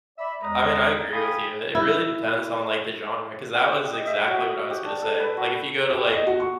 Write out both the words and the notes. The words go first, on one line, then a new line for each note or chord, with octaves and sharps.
uh, I mean, I agree with you. It really depends on, like, the genre 'cause that was exactly what I was gonna say, like, if you go to, like,
D5 E5 B5
E2 G#3 A#5 D#6
F5 G5 G#5 B5 C6 D#6
E4
G4
D#6
D#5
E5
F#4
D#6
G4
D4
A4
B4
F#4
G4
D#5
F#4
C#6